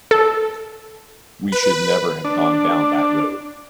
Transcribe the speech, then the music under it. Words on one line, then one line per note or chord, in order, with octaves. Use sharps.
We should never have gone down that road.
A4
B4
D4